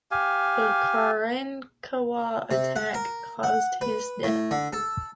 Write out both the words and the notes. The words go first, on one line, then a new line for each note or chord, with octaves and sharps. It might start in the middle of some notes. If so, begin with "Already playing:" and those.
The Karankawa attack caused his death.
G4 F5 G#5
C3
F#5
A#4
F#5
B4
A2
D3
A4